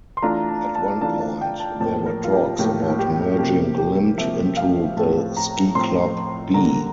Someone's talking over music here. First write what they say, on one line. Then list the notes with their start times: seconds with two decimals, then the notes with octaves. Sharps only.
At one point, there were talks about merging Glimt into the Ski Club B.
0.17 C6
0.22 E3 A3 D4 F4 A#5
0.49 A5
0.75 A5
1.01 E3 A3 D4 F4 A5
1.21 A5
1.41 G5
1.60 A5
1.80 A2 F3 A#3 A5
2.06 A#4
2.24 F4
2.33 G4
2.59 A2 F3 A#3 G4
2.99 G4
3.38 C3 F3 A#3 G4
3.78 G4
4.17 C3 F3 A#3 E5
4.57 F5
4.97 A2 F3 C4 A5
5.37 A#5
5.75 A2 F3 C4 C6
6.54 D3 G3 A#3 A#5